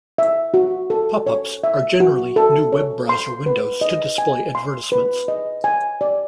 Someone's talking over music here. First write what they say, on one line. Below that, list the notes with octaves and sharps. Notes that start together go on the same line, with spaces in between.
Pop-ups are generally new web browser windows to display advertisements.
E5
F#4
A4
C#5
E5
F#4
A4
C#5
C6
B4
D#5
G#5
C6
B4
D#5
G#5
D5